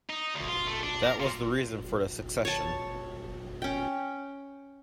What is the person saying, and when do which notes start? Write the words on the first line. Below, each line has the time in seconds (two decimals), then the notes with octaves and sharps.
That was the reason for the Secession.
0.10 D#4
0.35 D2
0.48 F4
0.67 A3
0.83 D4
1.03 A#4
1.20 A#2
2.45 C#5 A5
3.62 C#4 G5